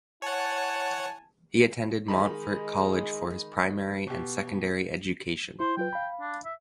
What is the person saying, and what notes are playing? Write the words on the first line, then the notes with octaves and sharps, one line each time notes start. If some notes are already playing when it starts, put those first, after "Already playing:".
He attended Montfort College for his primary and secondary education.
E4 C#5 F#5 G#5 A5
D#3 G#3 D#4 B5
B2 G4
E4 C5
F#3 F4 B4 G5
F5 B5
D4
E5